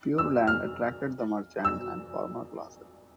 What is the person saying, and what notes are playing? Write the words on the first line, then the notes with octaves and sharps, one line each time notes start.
Pure Land attracted the merchant and farmer classes.
E6
F6
E6